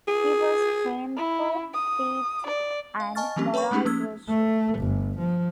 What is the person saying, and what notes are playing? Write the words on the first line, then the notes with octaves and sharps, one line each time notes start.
He was famed for "piety and moral virtues".
G#4
E4
D#6
D5
F5
D#5 G#5 A5 C#6 F6 A6
E3 F#3 C4 C#4 G4
B4 C#5 G5 B5 C#6
G#3 A3 C#4 D#4 G4 G#4
F3 A#3 C#4 E6 G#6
A3
G1
F3